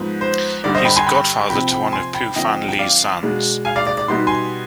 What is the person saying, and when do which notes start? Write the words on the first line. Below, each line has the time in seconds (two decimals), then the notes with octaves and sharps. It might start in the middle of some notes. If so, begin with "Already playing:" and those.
He is the godfather to one of Pui Fan Lee's sons.
Already playing: G#2 F3 B3
0.21 C5
0.64 G2 D3 G3 D5
0.75 C5 D#5
0.85 G5 B5
0.96 G#5 C6
1.07 G5 B5
1.49 C3 F3 C4 G5 B5
1.71 G5 B5
1.92 G#5 C6
2.14 G5 B5
2.36 D3 F3 C4 D#5 G5
2.69 G5
2.79 D5 F5
3.23 B2 G#3 D4
3.65 F5 G#5
3.76 D5 F5
3.87 D5
3.98 D5
4.08 B2 G3 B3 D#4 C6
4.27 G#5 C6